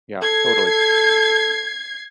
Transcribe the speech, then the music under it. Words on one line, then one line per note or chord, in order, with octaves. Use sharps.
Yeah, totally.
A4 G#6 C7